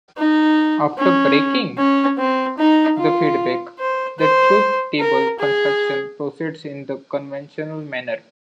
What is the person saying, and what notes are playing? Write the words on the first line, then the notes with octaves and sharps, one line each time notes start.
After "breaking" the feed-back, the truth table construction proceeds in the conventional manner.
D#4
C#4
C#4
C4
D#4
F4
C5
C5
A#4
G#4